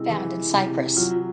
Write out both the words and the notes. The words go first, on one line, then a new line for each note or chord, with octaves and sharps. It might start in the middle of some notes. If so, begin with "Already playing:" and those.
Found in Cyprus.
Already playing: C3 G#3 E4
E3
C3
F#3 F4